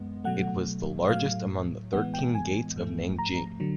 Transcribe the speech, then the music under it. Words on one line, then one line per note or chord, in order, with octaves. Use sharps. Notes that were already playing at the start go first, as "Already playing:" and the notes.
It was the largest among the thirteen gates of Nanjing.
Already playing: F#2 G#3 B3
B2 F#3 A3 F#5
A2 F#3 A3 F5
A2 E3 G#3 B3 F#5
G5
G#5
G#2 F3 A3
A#5
D3 F#3